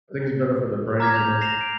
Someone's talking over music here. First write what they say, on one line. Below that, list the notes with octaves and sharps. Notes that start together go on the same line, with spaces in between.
I think it's better for their brains, you know?
A#5 D6 F6 G#6 A#6 B6
G6 F7
A#6 C7 E7 F7
D7